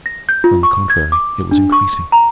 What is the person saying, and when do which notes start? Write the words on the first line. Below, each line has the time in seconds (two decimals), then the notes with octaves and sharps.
On the contrary, it was increasing.
0.06 A#6
0.29 G6
0.44 F4
0.63 C#6
0.90 G#6
1.12 D6
1.51 D4
1.72 C#6
2.12 A#5